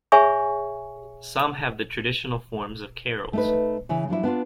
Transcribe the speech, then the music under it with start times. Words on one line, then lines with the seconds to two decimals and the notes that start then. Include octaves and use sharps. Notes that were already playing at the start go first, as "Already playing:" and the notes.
Some have the traditional forms of carols.
0.12 G#4 C#5 E5 G#5 B5 C#6
3.33 A3 D#4 B4
3.89 C#3 E3
4.09 F3 F#3 D4 E4
4.23 B3 D4 D#4 F4